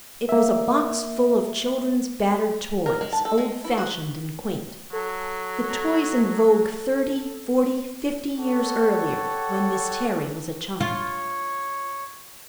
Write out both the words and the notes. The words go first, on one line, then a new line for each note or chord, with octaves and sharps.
It was a box full of children's battered toys, old-fashioned and quaint; the toys in vogue thirty--forty--fifty years earlier, when Miss Terry was a child.
A#3 E5
A#4
G#3
A5
A4
G#3
E4
F#4
F#3 A4
G4 A4 C#5 F#5
F4 C#5